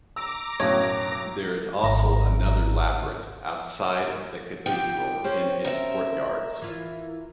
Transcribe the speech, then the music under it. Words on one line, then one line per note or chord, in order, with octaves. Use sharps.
There is also another labyrinth outside of the cathedral in its courtyards.
A#5 D6 E6 A#6
B1 F#2 A2 C#5
G#1 A#5
D#4 F4 G4 G5
C4 C#4 G4
A#4 E5
E3 F4